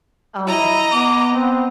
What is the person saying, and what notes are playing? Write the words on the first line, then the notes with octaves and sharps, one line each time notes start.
Oh, yeah.
E4 D#5 A#5
B3 D6
C4